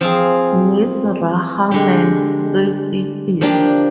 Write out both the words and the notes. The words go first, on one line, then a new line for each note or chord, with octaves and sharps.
Mrs. Rahman says it is.
F3 C4 F4 G#4
D3 G#3 D4 G4
F3 A#3 D4 G4